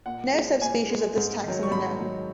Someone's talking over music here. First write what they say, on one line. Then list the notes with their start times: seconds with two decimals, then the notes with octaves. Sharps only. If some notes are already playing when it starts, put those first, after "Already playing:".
No subspecies of this taxon are known.
0.06 A#2 F#5
0.33 G#3
0.61 A#2 G#5
0.89 G#3
1.16 G#2
1.43 D#3 F#3
1.63 C#6
1.71 G#2 B5
1.99 D#3 F#3